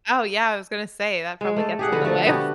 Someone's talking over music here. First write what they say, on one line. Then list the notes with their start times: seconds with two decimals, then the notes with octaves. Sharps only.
Oh, yeah, I was gonna say that probably gets in the way of
1.41 G#3
1.56 A3 A4
1.79 G4 G#4 F#5
1.92 D3 F#4 B4
2.04 F3 A3
2.27 B3 F#4 G4